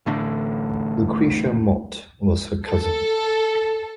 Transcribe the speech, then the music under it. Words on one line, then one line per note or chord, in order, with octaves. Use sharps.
Lucretia Mott was her cousin.
A1 A2 D3
A4